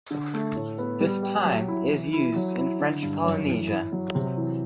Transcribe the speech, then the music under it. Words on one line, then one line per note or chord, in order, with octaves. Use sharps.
This time is used in French Polynesia.
D3
A3
A2
B3
G3
G4
F#3
E4
E3
E4
F#3
E4
D3
G2
F#2
E3
E4
F#3
C3
E3